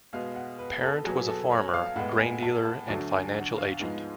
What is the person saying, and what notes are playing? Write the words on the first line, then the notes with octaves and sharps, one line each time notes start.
Parent was a farmer, grain dealer and financial agent.
B2 G#3 B3 F5
F#5
B4
A4
B2 F#3 B3 G#4
A4
C#5
F5
A2 G#3 B3 F#5
G#5
A5
A5
D2 D3 F#3 A3 A5
G#5
F#5
F5
G#2 F3 G#3 B3 F5